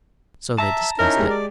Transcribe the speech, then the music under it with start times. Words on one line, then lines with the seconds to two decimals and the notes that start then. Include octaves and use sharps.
So they discussed it.
0.58 E5 A5 A#5
0.99 C#4 D#4 E4 A#4
1.16 G#3 G4 G#4
1.29 D5